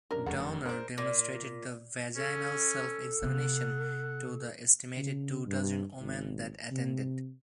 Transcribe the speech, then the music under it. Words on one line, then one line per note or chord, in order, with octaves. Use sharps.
Downer demonstrated the vaginal self-examination to the estimated two dozen women that attended.
F#2 C#4 D4 G4 A#4 E5 A#5
F1 A3 A4 F#5
G#3 A#4 C5 D5
A#2
C#4 A4
C3 B3 F#5
C#3
G2
G#1
C3